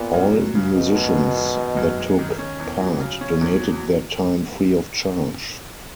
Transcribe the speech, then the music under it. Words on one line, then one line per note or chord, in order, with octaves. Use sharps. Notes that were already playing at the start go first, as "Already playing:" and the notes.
All musicians that took part donated their time free of charge.
Already playing: A#2 B3
F#2
F#3
C#3
B2 D#4
F#2
G#3
D#3
D#4
F#2
G#3
D#3
C#4
E2
F#3
C#3
C#4
E2
F#3